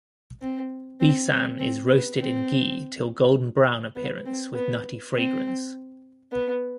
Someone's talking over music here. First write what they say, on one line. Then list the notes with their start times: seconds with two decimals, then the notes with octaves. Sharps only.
Besan is roasted in ghee till golden brown appearance with nutty fragrance.
0.41 C4
1.00 C4
1.30 C4
1.59 C4
1.89 B3
2.18 C4
3.95 B3
4.26 C4
4.55 B3
5.14 C4
6.32 B3